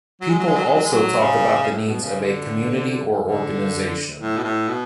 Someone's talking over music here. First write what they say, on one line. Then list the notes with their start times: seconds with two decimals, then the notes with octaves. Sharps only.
People also talk about the needs of a community or organization.
0.21 F#3
0.29 G#3
0.39 F#3
0.47 G#3
0.56 F#3
0.64 G#3
0.74 F#3
0.82 G#3
0.92 F#3
1.20 C#3
1.70 A2
1.87 B2
2.03 C#3
2.19 D3
3.19 D3
4.19 A2
4.37 B2
4.44 A2
4.68 B2